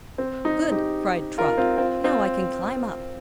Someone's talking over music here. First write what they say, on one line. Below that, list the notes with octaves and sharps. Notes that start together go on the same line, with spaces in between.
"Good!" cried Trot; "now I can climb up."
C4
D#4
D#4 G4
F4 A#4
C4 F4
C4 F4
C4 F4